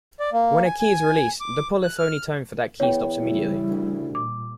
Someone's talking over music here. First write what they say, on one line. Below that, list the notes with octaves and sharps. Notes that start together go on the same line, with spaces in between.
When a key is released the polyphony tone for that key stops immediately.
D5
A#3
G#5
G#5
D6
F#6
F6
E2 B3 C#5 G5
C#3 E3 G3 E4
D2
A#2 D6